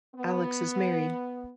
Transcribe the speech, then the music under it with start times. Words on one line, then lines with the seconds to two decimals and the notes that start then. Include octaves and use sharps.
Alex is married.
0.15 B3